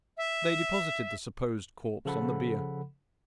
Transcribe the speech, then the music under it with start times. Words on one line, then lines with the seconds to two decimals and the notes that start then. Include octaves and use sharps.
They deposited the supposed corpse on the bier.
0.17 E5
2.05 C#3 F3 A4 F#5 B5